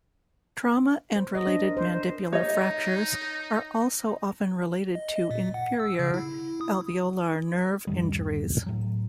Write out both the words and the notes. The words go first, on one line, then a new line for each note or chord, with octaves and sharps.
Trauma and related mandibular fractures are also often related to inferior alveolar nerve injuries.
C5
D#5
D4
A#4
C5
D#4 C#5 D#5
D#5
D#5
A#2
F#5
E6
C#3
E4
D#6
D1 F#2 D#3 G3
A2 F#3